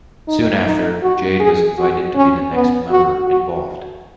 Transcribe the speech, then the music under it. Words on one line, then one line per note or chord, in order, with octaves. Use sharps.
Soon after, Jade was invited to be the next member involved.
D#4
D#4
F#4
G#4
F#4
C#4
B3
F#4
F#4